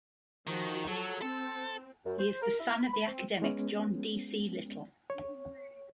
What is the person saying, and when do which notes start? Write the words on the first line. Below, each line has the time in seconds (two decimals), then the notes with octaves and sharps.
He is the son of the academic John D. C. Little.
0.47 D#3 F3 F#4
0.87 F#3 A4
1.22 C4 A4
2.05 F#2
2.19 C5
2.42 A#4
2.59 E4
2.80 B5
2.93 B5
3.08 C4
3.42 G#3 B3 C#4
5.10 C#5